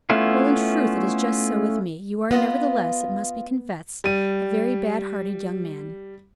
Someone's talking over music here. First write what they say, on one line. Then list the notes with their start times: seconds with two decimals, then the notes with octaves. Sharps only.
"Well! in truth, it is just so with me; you are, nevertheless, it must be confessed, a very bad-hearted young man."
0.10 A3 B3 C#4 E4 F4
2.31 B3 F4 D#5
4.04 G3 D#7